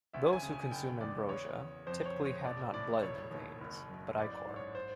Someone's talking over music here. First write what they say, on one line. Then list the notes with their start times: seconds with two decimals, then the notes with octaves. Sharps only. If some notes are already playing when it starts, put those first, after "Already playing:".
Those who consume ambrosia typically had not blood in their veins, but ichor.
0.13 D2 E5
0.33 G#5
0.42 C#3
0.53 G#5
0.71 F#1 G5
1.01 E2 D5
1.29 E2 C#5
1.58 C#3
1.87 F2 C5
2.06 C#5
2.16 C#3
2.25 C#5
2.44 A#1 D5
2.74 A2 D5
3.02 E1 C#5
3.31 D#2
3.61 F#1
3.89 F#2
4.18 A1 D5
4.37 D5
4.47 G#2
4.56 C#5
4.75 C5